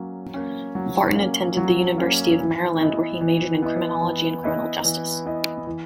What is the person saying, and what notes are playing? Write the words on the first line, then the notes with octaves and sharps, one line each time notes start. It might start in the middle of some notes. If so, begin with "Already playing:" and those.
Barton attended the University of Maryland where he majored in Criminology and criminal justice.
Already playing: F#3 A#3 C#4
A#3 C#4
F#3
A#3 C#4
F#3
A#3 C#4
E3
B3 E4 B4 D#5
E3
B3 E4 B4 D#5
E3
B3 E4 B4 D#5
E3
B3 E4 B4 D#5
E3